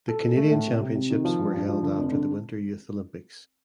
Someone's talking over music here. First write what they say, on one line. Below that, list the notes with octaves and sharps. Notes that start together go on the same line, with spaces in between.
The Canadian Championships were held after the Winter Youth Olympics.
A4
A4
A3
A2
C3
C3
C3
D#3
F3
G2
G2
F3
D3
F1
D3